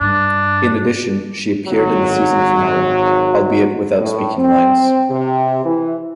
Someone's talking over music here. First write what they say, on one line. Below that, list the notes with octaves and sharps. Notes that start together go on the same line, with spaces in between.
In addition, she appeared in the season finale, albeit without speaking lines.
G2 D4
G#1 F#3
A2
C4
C3
E3